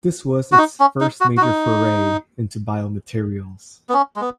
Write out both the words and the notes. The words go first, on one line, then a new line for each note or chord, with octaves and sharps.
This was its first major foray into bio-materials.
F#4
D#4
C#4
D#4
F#4
F#4
D#4
B3
C#4
G#3
B3